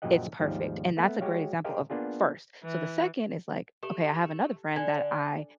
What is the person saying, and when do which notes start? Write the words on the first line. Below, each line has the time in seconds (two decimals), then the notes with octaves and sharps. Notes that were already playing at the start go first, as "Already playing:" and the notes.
it's perfect, and that's a great example of first. So, the second is, like okay, I have another friend that I
0.02 F#2 A#2 F3 G4 D#5 F#5
0.40 D#2 G#2 F3 G3
0.97 A3 B3
1.21 G#3 F#4 G4 C#5 F5
1.64 G4 G#4 A#4 C5 D#5 F5
1.90 A#3 B3 D4 F4 G#4
2.64 E3
3.83 A3 G4 A4
4.76 D3 D5 G#5